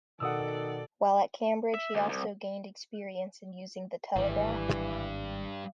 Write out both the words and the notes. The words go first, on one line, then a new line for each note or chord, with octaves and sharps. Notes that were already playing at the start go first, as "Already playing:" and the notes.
While at Cambridge he also gained experience in using the telegraph.
B2 D#3 F#4 A4 D5 F#5 D#6 E6
E5
D2
C2
G#1 G2 E3 G3